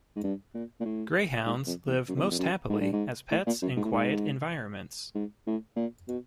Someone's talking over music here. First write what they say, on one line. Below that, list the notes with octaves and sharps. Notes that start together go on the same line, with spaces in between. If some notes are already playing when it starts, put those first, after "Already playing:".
Greyhounds live most happily as pets in quiet environments.
G#2
G2
A#2
A#2
A2
G#2
F2
E2
F#2
F2
E2
F2
F#2
G#2
G2
G#2
A2
A#2
F#2
G#2
A2
G#2
G#2
A2
A#2
B2